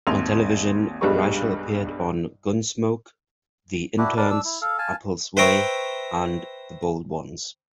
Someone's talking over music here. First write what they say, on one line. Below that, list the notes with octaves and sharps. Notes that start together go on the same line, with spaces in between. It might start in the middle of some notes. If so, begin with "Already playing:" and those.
On television, Reischl appeared on "Gunsmoke", "The Interns", "Apple's Way" and "The Bold Ones".
G#1 D#2 C6 F7
B1 G2 G3 G#3 B4 C#6
D4 E4 F#4 G4
D4 A#4 B4 D5
D4 E6
E4
A4 F5
F5 G#5 A5
B4 C5 E5 G5 A#5 C#6